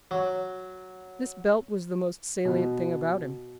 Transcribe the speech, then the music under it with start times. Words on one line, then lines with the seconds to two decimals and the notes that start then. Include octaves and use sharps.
This belt was the most salient thing about him.
0.11 F#3
2.45 B2